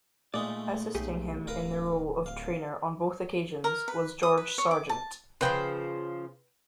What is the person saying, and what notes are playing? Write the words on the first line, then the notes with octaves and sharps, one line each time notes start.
Assisting him in the role of trainer on both occasions was George Sargeant.
A#2 G#3 A3 D#4 D5
B1 A3 G4 G#4
D1 A#4 B4 F5
F5
A#4
B4
D#6
B4
C#5
D6
A5
C#3 F3 B4 C5 G5